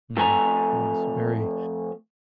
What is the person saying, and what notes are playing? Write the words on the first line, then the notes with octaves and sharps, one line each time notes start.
Mhm, yes, very,
F2 A3 G#5 A#5